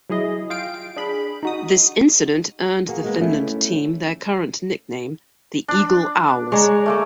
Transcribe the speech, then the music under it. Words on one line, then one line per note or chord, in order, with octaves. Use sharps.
This incident earned the Finland team their current nickname, The Eagle Owls.
F#3 E4 G#4 D#5
F4 F5 G5 D7
D4 G#4 B5
D#4 F#4 D#6
A#3 F#4 G#4
G#3 A#3 B3
A3 C#4 E4
D4
G#3 C#5 D5 A#5
A3 A#3 D6